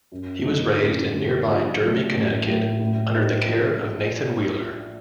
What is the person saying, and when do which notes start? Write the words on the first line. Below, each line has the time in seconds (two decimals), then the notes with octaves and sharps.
He was raised in nearby Derby, Connecticut, under the care of Nathan Wheeler.
0.12 F#2
0.44 D3 F#3 A#3 D#4
0.78 F#2
1.12 D3 G3 A#3
1.46 A#1
1.79 A#2 F#3 A3
2.14 A1
2.47 A2 F#3 A#3
2.80 A2
3.14 G3 C4 D#4
3.48 A#1